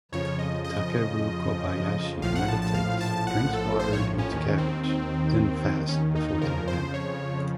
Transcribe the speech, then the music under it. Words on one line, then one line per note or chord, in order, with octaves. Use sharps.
Takeru Kobayashi meditates, drinks water and eats cabbage, then fasts before the event.
F2 C#3 F3 C#5
D#5
D#5
A#1 A2 F3 F5
F#5
A5
A5
F5
A5
F#5
A4
C5
C#5
C#4
D#2 D#3 C#4
C4
C4
C#4
D#4
D#4
F2 C#3 F3 A#4
C5
C#5